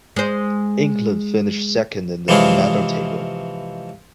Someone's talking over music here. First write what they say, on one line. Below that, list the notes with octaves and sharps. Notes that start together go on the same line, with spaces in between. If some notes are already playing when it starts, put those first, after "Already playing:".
England finished second in the medal table.
G#3 C5
C3 E3 F3 G#3 C#4 G#4